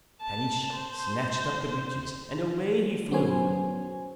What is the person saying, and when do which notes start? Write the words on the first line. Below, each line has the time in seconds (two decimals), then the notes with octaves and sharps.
Caniche snatched up the breeches, and away he flew.
0.22 A5
0.75 C5
3.11 F#3 B3 C#4 C5 G#5